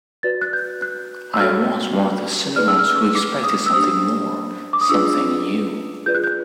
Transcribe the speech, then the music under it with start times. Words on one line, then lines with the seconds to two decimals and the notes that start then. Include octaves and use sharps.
I was one of the silly ones who expected something more, something new...
0.23 F#4 B4 D5 A6
0.41 F#6
0.53 G6
0.82 F#6
1.33 E6
1.40 F#4 A4 C#5 F6
2.56 D#4 G#4 B4 D5 F6
2.68 E6
2.79 F6
3.15 D6
3.44 D#6
3.66 E6
3.73 D4 G4 C5 D#6
4.73 D6
4.81 D#6
4.89 D4 F4 G#4 B4 D5 E6
6.06 F4 G#4 B4 D5 G6
6.15 F#6
6.24 G6